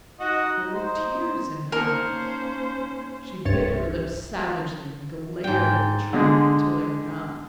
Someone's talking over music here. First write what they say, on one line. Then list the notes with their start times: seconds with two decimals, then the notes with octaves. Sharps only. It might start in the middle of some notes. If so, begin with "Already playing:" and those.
There were tears in her eyes--she bit her lips savagely and glared at the track until they were gone.
0.20 D#4 F#4 D#5 F#5
0.74 C5
1.72 A#3 C#4 D#4 A#4 C5 A5 C#7
3.45 C2 G2 C3 C#5 A6
5.44 G#2 G5
6.13 D3 G#3